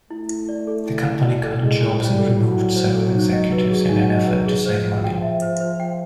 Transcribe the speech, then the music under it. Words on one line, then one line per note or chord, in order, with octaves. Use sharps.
The company cut jobs and removed several executives in an effort to save money.
A3 E4
E4
D5
A4
E4
E4
D5
A4
G#3 E4
E4
G3 C5
A4
F#3 E4
E4
C5
A4
D#4
D#5
B4
G#4
D#4
D#5
B4
G#4
F3 C5
C5
G5
E5
C5
C5
G5